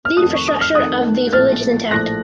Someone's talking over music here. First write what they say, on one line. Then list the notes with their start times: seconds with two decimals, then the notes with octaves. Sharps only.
The infrastructure of the village is intact.
0.05 F6
0.16 F2 D#3 A3 D#4 D#6 F#6
0.34 C#6
0.48 D#6
0.61 F6
0.74 F2 D#3 A3 D#4 D#6 F#6
1.33 A#1 A2 F3 A3 F6 A6
1.91 A#1 A2 F3 A3 F#6 A#6